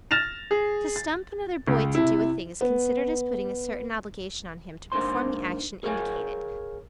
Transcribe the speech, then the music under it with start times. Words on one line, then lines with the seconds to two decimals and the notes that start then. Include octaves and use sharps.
To "stump" another boy to do a thing is considered as putting a certain obligation on him to perform the action indicated.
0.11 F6 A6 A#6 E7 F7
0.51 G#4
0.96 A6
1.67 C#2
1.95 C3 E4
2.61 B3
4.92 G#2 A#3 D4 D#4 C5 C6
5.83 G#4 A#4 C#5 D#5 F5 G#5